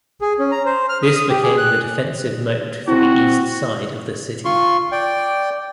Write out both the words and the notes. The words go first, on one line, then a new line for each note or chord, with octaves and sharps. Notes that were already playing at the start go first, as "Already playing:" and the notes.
This became the defensive moat for the east side of the city.
G#4
C#4
A#5
C5
F6
D#6
D#6
G4
G#4
F#6
C4 E4 F#4
F4 C6 C#6
D5 G5